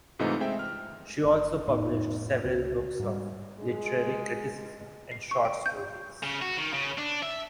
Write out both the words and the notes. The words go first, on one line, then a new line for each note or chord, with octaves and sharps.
She also published several books of literary criticism and short stories.
G#2 C3 E3 A3 D#4 F4
G#3 C4 E5 G5
F6
F#1
F1 A2 B3 D#4
C#2 C#3 F#4
G#2 G3
G#3
C7
C#6
G5
G6
C#3
F#4
D#3
C#3
D4
E5